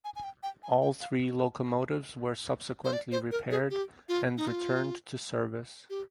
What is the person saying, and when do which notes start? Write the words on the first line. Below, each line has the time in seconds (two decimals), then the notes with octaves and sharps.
All three locomotives were subsequently repaired and returned to service.
0.04 G#5
0.16 G#5
0.23 G5
0.43 G5
0.63 G#5
0.82 G5
1.01 F5
2.84 C5
2.93 D5
3.12 C5
3.31 A#4
3.51 G#4
3.70 G4
4.09 F4
4.37 D#4
4.47 F4
5.90 G4